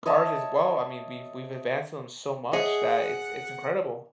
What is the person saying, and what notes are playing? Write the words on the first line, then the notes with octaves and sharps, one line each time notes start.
cars, as well, I mean, we've we've advanced them so much that it's it's incredible.
C#5 D#5 E5 A5
G#4 C#5 D#5 E5 F#5